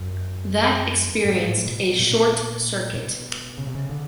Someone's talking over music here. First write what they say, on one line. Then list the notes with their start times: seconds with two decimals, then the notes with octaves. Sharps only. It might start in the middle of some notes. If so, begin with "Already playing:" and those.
That experienced a short-circuit.
Already playing: F#2
1.25 G#2
1.45 A2
1.66 B2
1.99 A#2
2.94 B2
3.57 C#3
3.67 C3
3.75 C#3
3.90 D3